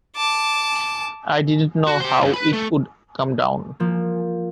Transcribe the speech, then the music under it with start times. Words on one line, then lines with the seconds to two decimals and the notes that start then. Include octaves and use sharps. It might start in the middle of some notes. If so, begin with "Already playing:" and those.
I didn't know how it would come down.
0.16 A5 D6
1.87 F#4
2.00 G4 C5
2.20 B1 G2
2.33 B4 B5
2.53 A3
3.80 F3 A#3